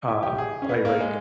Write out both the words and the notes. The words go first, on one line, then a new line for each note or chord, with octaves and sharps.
Uh, I like
E4
G4
G#4
C#4
B3
A#3
G#3